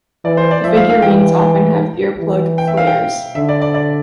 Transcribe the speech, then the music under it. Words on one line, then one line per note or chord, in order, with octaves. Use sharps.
The figurines often have earplug flares.
E3 D5
C5
D5
F3 E5
F5
F5
E3 G5
E3
G5
E5
F5
G5
D3 E5
D5
D5
D5